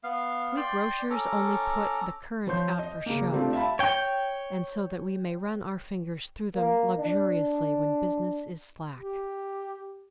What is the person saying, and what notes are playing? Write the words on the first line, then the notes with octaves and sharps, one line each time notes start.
We grocers only put the currants out for show, and so that we may run our fingers through them luxuriously when business is slack.
B3 F5
D5 G5 C6
C#4 A4 A#5 D6
F3 C5 C#5 C6 G6
D#5
C#3 A#3
G3 A3 C4 D4 F4 G4
E5 F5 A5 B5
C#5 G5
A#3
D4
G4